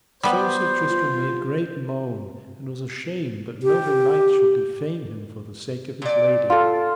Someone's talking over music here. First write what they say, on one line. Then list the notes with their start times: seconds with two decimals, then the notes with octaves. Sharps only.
So Sir Tristram made great moan and was ashamed that noble knights should defame him for the sake of his lady.
0.23 G3 B3 C5
0.85 F4
3.63 G4
6.02 A#2 D5
6.50 F4 A4